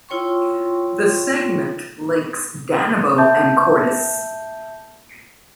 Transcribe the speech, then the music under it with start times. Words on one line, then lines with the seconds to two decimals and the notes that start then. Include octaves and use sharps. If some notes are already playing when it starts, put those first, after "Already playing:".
The segment links Danebo and Cordes.
0.09 E4 F4 C#5 G5 C6 C#6
3.18 E5 A5 G6